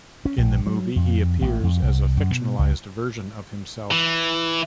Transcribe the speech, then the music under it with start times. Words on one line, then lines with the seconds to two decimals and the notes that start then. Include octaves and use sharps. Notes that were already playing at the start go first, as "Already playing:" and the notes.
In the movie he appears as a fictionalized version of himself.
0.25 C#4
0.38 A#1
0.67 F#3
0.96 F2
1.41 A1
1.64 F2
1.82 C2
2.17 F#2
2.31 B2
2.59 C#2
3.91 E3